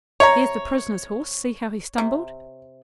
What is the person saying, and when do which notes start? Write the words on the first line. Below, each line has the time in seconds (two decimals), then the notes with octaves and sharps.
Here's the prisoner's horse, see how he stumbled?
0.20 C3 C#5 A#5
1.98 C3